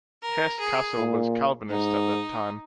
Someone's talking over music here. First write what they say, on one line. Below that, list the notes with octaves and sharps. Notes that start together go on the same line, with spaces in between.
Hesse-Kassel was Calvinist at that time.
A#4
G#4
A#2
G#2 D#4